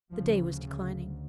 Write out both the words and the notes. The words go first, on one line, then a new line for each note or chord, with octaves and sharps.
The day was declining.
D2 C#3 F3
C#3